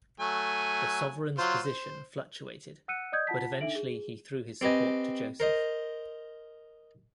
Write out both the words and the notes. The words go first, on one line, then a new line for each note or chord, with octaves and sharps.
The sovereign's position fluctuated, but eventually he threw his support to Joseph.
F#3 A3 G#5
F#3 F4 C5
C5
F#5 E6 F#6 C#7 D#7
D5 D#5 D#6 G6 G#6
F4 F#5 A5 B6
D4 D#4 A4 E5 D7 F#7
G#4
C4 G4 B4 D#5 G#5
A#4 C5 D#5